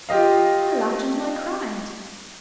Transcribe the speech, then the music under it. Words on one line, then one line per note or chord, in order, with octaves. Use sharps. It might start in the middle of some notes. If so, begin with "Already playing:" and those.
I laughed until I cried.
F4 G4 D#5 F5